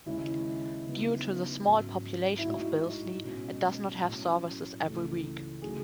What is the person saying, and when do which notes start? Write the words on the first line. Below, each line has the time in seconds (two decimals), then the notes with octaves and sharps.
Due to the small population of Billesley, it does not have services every week.
0.06 D#2 C#3 G#3 C#4 E4
0.86 C#3 F#3 B3 D#4
1.65 G#2 F#3 C#4
2.39 E4
2.45 A2 G#3 D#4 F#4
3.24 B2 G#3 C#4
4.04 A2 F#3 C#4
4.83 C#2 C#3 E3 A3
5.62 C#3 F#3 A3 D#4 G#4